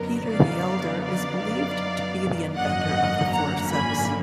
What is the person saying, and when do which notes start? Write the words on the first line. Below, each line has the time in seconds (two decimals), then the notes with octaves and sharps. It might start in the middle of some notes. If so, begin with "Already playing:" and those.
Peter the Elder is believed to be the inventor of the forceps.
Already playing: F#2 D3 F#3 B3 D#4 A#4
0.28 D5 F5
1.04 D5 F5
2.56 G#1 F#2 D3 F#3 A#3 D#5 F#5
3.32 F#5 A#5
3.70 G#5 B5